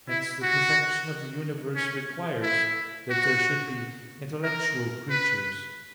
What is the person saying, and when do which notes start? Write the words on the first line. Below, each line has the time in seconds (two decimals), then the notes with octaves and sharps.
Hence the perfection of the universe requires that there should be intellectual creatures.
0.09 E4
0.43 F#4
1.76 C#4
2.42 E4
3.10 F#4
4.43 A#4
5.10 B4